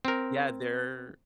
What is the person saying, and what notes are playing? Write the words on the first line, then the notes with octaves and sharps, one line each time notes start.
Yeah. There
C4 A#4